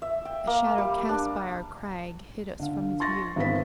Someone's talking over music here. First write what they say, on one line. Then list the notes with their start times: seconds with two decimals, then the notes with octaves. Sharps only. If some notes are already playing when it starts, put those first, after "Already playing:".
A shadow cast by our crag hid us from his view.
0.02 E5
0.25 G5
0.47 A#3
0.78 G3
1.09 D4
2.60 D3 F5
3.00 C6 C#6 A6 A#6
3.36 G#1 D#3 B3 B4 B6